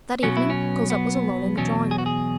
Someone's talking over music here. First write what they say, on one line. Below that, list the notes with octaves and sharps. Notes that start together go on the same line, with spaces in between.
That evening, Cosette was alone in the drawing-room.
B1 B2 F#3 C#4
E4
C#4
B3
E2 B2 F#3 C#4
G#4
F#4
G#4